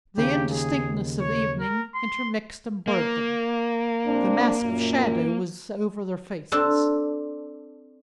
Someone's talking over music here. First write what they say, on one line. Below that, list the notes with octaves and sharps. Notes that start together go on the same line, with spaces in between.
The indistinctness of evening intermixed and blurred them; the mask of shadow was over their faces.
D#2 C#3 G4
G#4
C#5
A#4
C6
A#3
A#1 C4 D4
F#2 A#2
C4 D4 A4